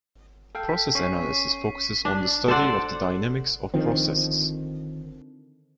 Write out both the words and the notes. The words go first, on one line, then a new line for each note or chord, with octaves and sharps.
Process Analysis focuses on the study of the dynamics of processes.
A4 F5 G5
B6
C#4 C#6 B6 C7
D4
A4 C5 D5 F#5
D3 D#3 F3 C4